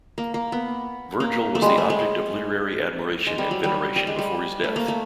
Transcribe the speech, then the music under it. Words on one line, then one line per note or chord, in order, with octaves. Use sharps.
Virgil was the object of literary admiration and veneration before his death.
A#3
A#3
B3
A#3
A3
G3 G#3
A3
G#3
G#3
G3
F#3
G3
G3
G#3
G3
A3
A#3
A3